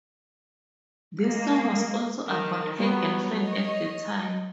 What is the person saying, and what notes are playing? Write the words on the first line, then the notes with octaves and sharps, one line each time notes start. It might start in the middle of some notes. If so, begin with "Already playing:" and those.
This song was also about her girlfriend at the time.
G#3 A#3
D#3
F#3 G3 B3 C#5
D#5